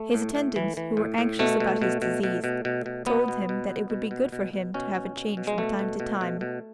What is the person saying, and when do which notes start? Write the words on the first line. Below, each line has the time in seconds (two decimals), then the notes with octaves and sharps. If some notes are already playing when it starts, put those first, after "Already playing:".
His attendants, who were anxious about his disease, told him that it would be good for him to have a change from time to time.
Already playing: A3
0.14 A2
0.35 A2
0.56 E3
0.77 E3
0.97 A2
1.18 A2
1.39 B2 A3
1.60 B2
1.82 B2
2.02 B2
2.23 B2
2.44 B2
2.65 B2
2.86 B2
3.07 B2 B3
3.28 B2
3.49 B2
3.69 B2
3.90 B2
4.11 B2
4.32 B2
4.53 B2
4.74 B2 C#4
4.95 B2
5.16 B2
5.37 B2
5.47 G#3
5.58 B2 A3
5.79 B2
6.00 B2
6.21 B2
6.41 B2